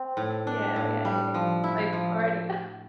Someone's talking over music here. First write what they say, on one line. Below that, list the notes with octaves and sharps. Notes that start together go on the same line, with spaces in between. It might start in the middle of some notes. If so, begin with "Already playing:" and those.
Yeah, yeah, yeah, yeah, like, already up.
Already playing: C4
A2
D4
A2
G3
F3
E4
F3